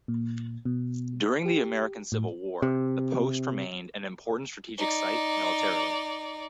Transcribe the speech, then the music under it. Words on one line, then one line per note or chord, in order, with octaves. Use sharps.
During the American Civil War, the post remained an important strategic site militarily.
A#2
B2
G4
A2
C3
D#4 D5